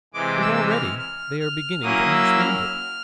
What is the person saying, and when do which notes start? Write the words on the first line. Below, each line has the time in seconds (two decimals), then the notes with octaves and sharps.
And already they are beginning to understand it.
0.14 C3 E3 G#3 D6
0.42 E6
0.70 F6
0.99 F6
1.40 F6
1.83 F#3 A#3 C#4 E4 D#6
2.11 E6
2.39 F6